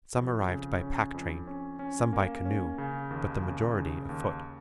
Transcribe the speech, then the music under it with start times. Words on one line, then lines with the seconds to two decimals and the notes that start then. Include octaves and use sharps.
Some arrived by pack-train, some by canoe, but the majority afoot.
0.16 F2
0.48 C#3
0.81 C#4
1.14 F2
1.47 C#4
1.79 C#4
2.13 A#3
2.45 C#4
2.78 C#3
3.11 D#2
3.43 C#3
3.76 C#3
4.09 D#2